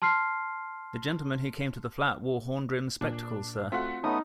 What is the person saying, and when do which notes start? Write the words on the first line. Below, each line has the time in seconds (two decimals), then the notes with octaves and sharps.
The gentleman who came to the flat wore horn-rimmed spectacles, sir.
0.02 A5 C6 F6 C7
3.01 A#2 D4
3.72 A3 C4 F4 F#4 C6
4.04 A3 B3 C#4 D#4 D#6